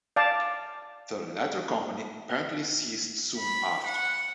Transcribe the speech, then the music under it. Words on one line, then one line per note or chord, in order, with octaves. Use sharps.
The latter company apparently ceased soon after.
D5 F5 A5
B5
F#5